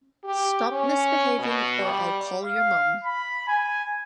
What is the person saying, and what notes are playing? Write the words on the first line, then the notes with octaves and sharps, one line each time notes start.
Stop misbehaving or I'll call your mom.
G4
C#4
B2
G3
F5
B5
G#5